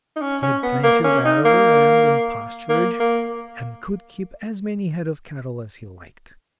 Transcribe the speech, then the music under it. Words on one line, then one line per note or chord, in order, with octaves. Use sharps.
He had plenty of arable land and pasturage, and could keep as many head of cattle as he liked.
D#4
C#4
C#4
B3
A#3
C#4
D#4
A#3
A#3
A#3